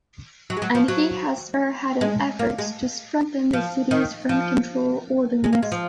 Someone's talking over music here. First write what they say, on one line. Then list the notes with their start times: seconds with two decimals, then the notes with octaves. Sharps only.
And he has spearheaded efforts to strengthen the city's rent control ordinance.
0.50 F#3
0.57 G#3
0.62 F#3
0.75 F3
0.88 F#3
2.01 G#3
2.39 A#3
2.59 G#3
3.53 F3
3.91 D#3
4.29 F3
5.44 G#3
5.53 A#3
5.63 G#3
5.72 F3